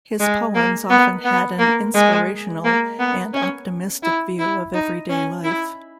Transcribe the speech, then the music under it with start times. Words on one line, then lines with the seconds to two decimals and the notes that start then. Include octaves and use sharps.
His poems often had an inspirational and optimistic view of everyday life.
0.20 G#3
0.55 A#3
0.90 B3
1.24 B3
1.59 A#3
1.94 G#3
2.64 A#3
2.99 B3
3.34 C#4
4.03 E4
4.39 E4
4.74 D#4
5.09 C#4
5.44 E4